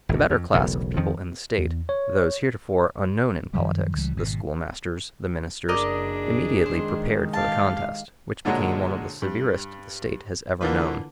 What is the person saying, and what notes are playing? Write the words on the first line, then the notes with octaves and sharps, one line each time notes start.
The better class of people in the State, those heretofore unknown in politics, the schoolmasters, the ministers, immediately prepared for the contest, which became one of the severest the State has ever known.
G#1 D2
F2
E1 B1 A2 C#3
F2 D#3 F3
E2
C#5
F#2 D#3 F3 G3
C#2 E3 G3
G#1 B2
F#1 D4 G#4 A#4 D5 D#5
D#3 G#3 C5
G4 F5 A5
A#2 D3 G#3 F#4 C#5 A#5
G2
D3 E3 A#3 F4 B4